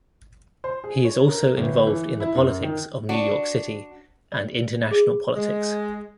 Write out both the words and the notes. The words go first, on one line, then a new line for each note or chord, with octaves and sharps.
He is also involved in the politics of New York City and international politics.
C5
G#4
C#5
A#4
G1
E3
E4
F#2
D#3
D4 F#4
D5
G#4
G#3